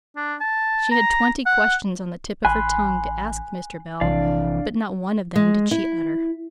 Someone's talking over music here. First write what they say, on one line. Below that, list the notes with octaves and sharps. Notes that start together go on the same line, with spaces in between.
She had twenty questions on the tip of her tongue to ask Mr. Bell, but not one of them did she utter.
D4
A5
A#5
F#5
A1 G#5 B5 C6 F#6
A#1 C3 E3 D4 D5 F5
G#3
E4